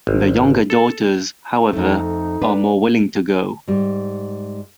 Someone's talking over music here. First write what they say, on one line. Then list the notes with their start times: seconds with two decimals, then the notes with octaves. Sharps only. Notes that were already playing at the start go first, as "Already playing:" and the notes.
The younger daughters, however, are more willing to go.
0.07 G#1
0.70 A4
1.73 F2 A3 D#4
2.42 D4 B4
3.68 G#2 G3